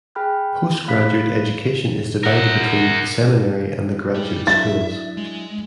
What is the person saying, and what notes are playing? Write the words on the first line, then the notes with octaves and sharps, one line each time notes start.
Postgraduate education is divided between the seminary and the graduate schools.
G#4 G5 B5 F6 F#6
A3 E4 F5 B5 F#6 B6
A#4 F#5
G3 G#3 D#4 G4
F#3 D4 E4 E5 A6
G#3